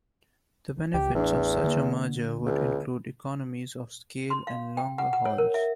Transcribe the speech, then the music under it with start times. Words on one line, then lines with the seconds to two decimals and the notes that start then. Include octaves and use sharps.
The benefits of such a merger would include economies of scale and longer hauls.
0.94 C#2 G4
1.15 A1 E2 C#4 D4
1.64 D3 A#3
2.45 C#2
4.30 C6
4.47 F5
4.77 G5
4.98 F#5
5.13 F#5
5.25 C#5
5.38 A#4
5.54 E5